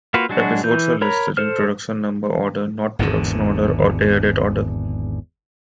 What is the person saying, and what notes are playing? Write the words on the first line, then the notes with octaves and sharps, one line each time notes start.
Episodes are listed in production number order, not production order or air date order.
A#3 F4 F#4 B4
F#3 G#3 D4 F#4
E3 G6
A#4 C#5 A#5 B5
A4 C5 F6
G#1 E2 G#2 D3